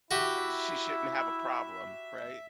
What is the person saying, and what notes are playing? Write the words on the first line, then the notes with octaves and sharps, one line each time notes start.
uh, she shouldn't have a problem, right?
E4 F#4 G4 E5